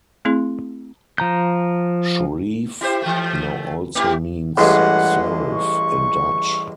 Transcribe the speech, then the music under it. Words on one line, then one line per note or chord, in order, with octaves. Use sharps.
"Schreef" now also means "serif" in Dutch.
A3 C4 E4 G#4 C6
F3 A#5 G6
E4 G4 C5
E3 A3
A3 E4 G4
A1 G2 G#3 F#5
C#6